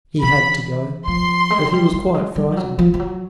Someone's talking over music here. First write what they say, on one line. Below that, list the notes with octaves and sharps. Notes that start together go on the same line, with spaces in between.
He had to go, but he was quite frightened.
E3 B5
F3 C6
G#3
G3
F#3
G3
G3
G#3
G3
F3
F#3
F3
F3
F#3